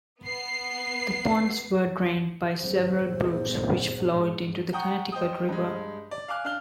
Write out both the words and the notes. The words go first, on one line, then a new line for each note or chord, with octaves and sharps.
The ponds were drained by several brooks which flowed into the Connecticut River.
B3 C7
G#1 G2 F#3 C5
E2 G2 A#2
G#2
F#5 G5 A#5 C#6 D#6 G6
C5 D#5 G5 D#6
G2 G#3
D5
F5 G#5 D6 F6 F#6
D4 F5 F6 G7